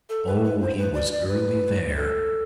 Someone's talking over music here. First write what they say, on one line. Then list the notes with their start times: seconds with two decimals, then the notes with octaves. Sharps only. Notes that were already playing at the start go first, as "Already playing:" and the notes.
Oh, he was early there.
0.10 A4
0.27 B4
0.44 B4
0.61 C5
0.78 B4
0.94 D5
1.12 D5
1.28 B4
1.96 A4